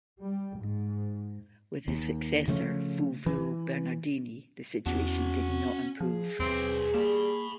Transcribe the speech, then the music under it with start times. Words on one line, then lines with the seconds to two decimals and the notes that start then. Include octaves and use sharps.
With his successor, Fulvio Bernardini, the situation did not improve.
0.23 G3
0.60 G#2
1.88 D#2
2.48 C#3 F3 A3 C#4
3.26 E3
4.86 E2 B3 C#4 F#4 A5
6.01 F3 G#4
6.40 D#2 F#3 C4 B4
6.94 G3 A#3 A5 B5